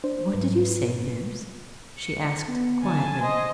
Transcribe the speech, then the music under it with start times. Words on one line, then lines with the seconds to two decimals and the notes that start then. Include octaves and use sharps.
"What did you say, Bibbs?" she asked, quietly.
0.04 D4 C5
0.34 G#2 F#3 B4
1.97 C#7
2.48 B3
2.83 D3 G#5 A5
3.21 C5 D#5 G#5